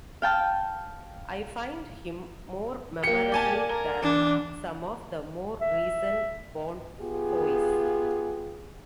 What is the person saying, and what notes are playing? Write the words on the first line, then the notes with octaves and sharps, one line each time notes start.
I find him more memorable than some of the more recent Bond foes ...
F5 G5 A5 F6
A#3 G4 C#7
D5 G#5 A5
A#4
E2 E3 D4
E5
B3 F4 G4 G#4